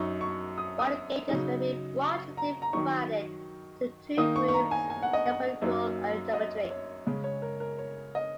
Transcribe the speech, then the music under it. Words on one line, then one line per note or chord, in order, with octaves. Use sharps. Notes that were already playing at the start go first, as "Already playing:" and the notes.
Wire gauges may be broadly divided into two groups, the empirical and the geometric.
Already playing: F#2 F#3 D#4 C#6
C#6
D#6
D#6
C#3 F#3 D#4
C#6
A#5
A#5
D#3 F#3 D#4 C#6
D#3 A#3 D#4 D#6
C#6
C#6
A#5
G#5
G#5
F#5
D#5
F#5
F#2 F#3 A#3 D#4
D#5
C#5
C#3 G#3 C#4
C#5
A#4
A#4
C#5
D#5